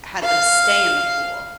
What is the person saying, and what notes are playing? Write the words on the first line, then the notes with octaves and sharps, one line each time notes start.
had them stay in the pool
F5